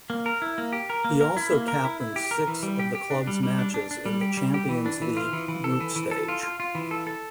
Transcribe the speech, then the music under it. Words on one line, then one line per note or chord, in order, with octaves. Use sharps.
He also captained six of the club's matches in the Champions League group stage.
A#3
A#4
E4
A#3
G4
A#4
A#3
A#4
E4
A#3
A#4
E4
E4
G4
A#4
E3
G3
G4
G4
D4
G3
G3
D4
D4
D4
G3
G4
G3
G4
E3
D4
E3
F4
E3
E3
A4
E3
E3
A4
F4
F4
F4
E3
A4
A4